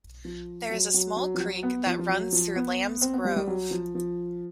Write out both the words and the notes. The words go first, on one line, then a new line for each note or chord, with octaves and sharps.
There is a small creek that runs though Lambs Grove.
F3
F#3
F#3
F#3
F3
F#3
B3
F3
F3
F#3
F3
B3
C4
B3
G3
G3
F#3
F3
F3